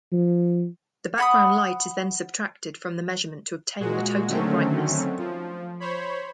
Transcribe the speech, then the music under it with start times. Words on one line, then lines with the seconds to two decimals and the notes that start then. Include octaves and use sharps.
The background light is then subtracted from the measurement to obtain the total brightness.
0.12 F3
1.18 F#5 B5 D#6
3.80 A#2 G#3 F#4
4.28 D3 D#3 F#3 A3 C4 C#4
5.18 F3
5.80 C5 C#5 B5